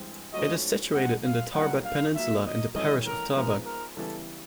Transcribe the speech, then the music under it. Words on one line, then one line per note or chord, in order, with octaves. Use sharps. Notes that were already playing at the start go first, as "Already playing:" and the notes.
It is situated in the Tarbat Peninsula in the parish of Tarbat.
Already playing: G2 E3 G#3 C4
G#2 F3 A3 C#4 F#4 D#5
B1 B2 G#3 F#5
F5
B1 A#2 G3 A#3 D4 F#5
F5
A#2 F#3 A#3 E5
D#5
G#1 G2 E3 A3 C#4 D#5
A#4
G#2 F3 G#3 B3 A#4
A#4
C#3 E3 G3 B3 E4 A4